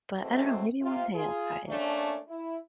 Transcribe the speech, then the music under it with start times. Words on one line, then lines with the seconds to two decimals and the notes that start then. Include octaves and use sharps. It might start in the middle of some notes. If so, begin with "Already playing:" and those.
but I don't know, maybe one day I'll try it.
0.21 E3 F#3 G#3 A3 C4
0.82 C3 F4
1.15 F4 G#4
1.68 A3 A#3 C#4 D4
2.28 E4